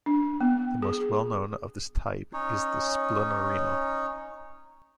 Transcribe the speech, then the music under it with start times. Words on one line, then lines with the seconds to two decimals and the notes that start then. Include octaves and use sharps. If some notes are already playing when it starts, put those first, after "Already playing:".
The most well known of this type is the splenorenal.
0.06 D4
0.41 B3
0.82 G#4
2.33 C#4 D#4 C#5